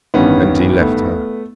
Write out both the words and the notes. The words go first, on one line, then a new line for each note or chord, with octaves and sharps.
And he left her.
A1 G2 D#3 B3 C#4
A3 B3